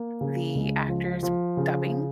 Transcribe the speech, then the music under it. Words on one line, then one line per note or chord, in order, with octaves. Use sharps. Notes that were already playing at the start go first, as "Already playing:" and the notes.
the actors dubbing,
Already playing: A#3
C#3
C#2
F3
F3
C#3